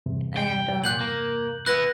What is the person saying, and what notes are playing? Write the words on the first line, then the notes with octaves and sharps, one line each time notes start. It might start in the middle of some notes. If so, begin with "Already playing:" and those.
and, um,
E2 G2 C3
G5
A#2 F#6 G6 F#7
A#3
B3 E4 B4 F#6 A#6